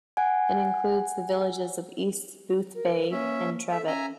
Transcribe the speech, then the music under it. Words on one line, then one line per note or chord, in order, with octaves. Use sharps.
It includes the villages of East Boothbay and Trevett.
F#5 G#5
A#4
A#3 C#4 E5
A4 E5
C#4 E5 G#5 A#5